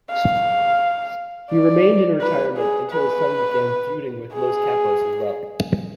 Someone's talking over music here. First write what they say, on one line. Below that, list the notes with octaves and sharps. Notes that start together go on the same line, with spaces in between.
He remained in retirement until his son began feuding with Los Capos as well.
F5
D5
B4
G#4
B4
G#4